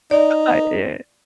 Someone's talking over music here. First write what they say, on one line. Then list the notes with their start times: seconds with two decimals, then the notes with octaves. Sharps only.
I yeah.
0.11 D#4 D5